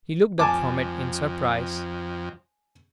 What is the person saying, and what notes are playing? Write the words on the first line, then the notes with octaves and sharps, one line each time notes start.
He looked up from it in surprise.
F2 G#5 A5 D6